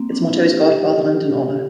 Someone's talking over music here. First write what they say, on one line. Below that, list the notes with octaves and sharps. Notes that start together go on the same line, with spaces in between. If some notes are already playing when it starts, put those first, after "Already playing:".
Its motto is God, Fatherland, and Honor.
Already playing: A#3 C4
D4
E4
F4
G4
A4